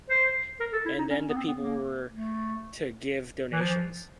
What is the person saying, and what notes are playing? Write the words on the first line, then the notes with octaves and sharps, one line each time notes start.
And then the people were to give donations.
C5
A#4
A4
E4
D#4
C#4
B3
C4
B3
A#3
A3
E3
F3